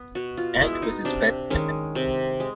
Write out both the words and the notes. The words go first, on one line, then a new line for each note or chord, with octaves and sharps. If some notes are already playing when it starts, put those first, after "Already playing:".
Ant was his best man.
Already playing: B3
B2 F#4
F4
G#3 B3 E4
D#4
C3 D4
D#3 G#3 C#4
C3
G#3